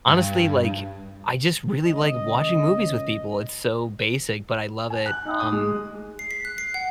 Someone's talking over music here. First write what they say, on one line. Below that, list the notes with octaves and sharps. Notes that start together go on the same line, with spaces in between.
honestly, like, I just really like watching movies with people. It's so basic, but I love it, um,
G2
C#2 C#4 D#5
G#5
F#6
D#4
D#6
G#3
C7
B6
F#6
C7
F#5